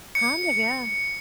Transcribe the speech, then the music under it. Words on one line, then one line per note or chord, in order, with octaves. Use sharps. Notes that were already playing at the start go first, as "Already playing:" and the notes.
Kind of, yeah.
C#7